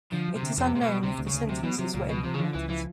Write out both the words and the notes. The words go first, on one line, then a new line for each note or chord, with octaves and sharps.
It is unknown if the sentences were implemented.
D3 F3
F#3
C3
D3
F2 C3
C3 A3
B2
F#3
D2 C3
D2
C#3
D2
C3 F#3
B2 F#3
C3 F#3
C#2 A#2
B2 F3
C3 F3
C#3
D3 F3
C#2 E3
E3 F3